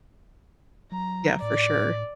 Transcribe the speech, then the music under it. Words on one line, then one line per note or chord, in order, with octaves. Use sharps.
Yeah, for sure.
F#3 A#5
A2 D5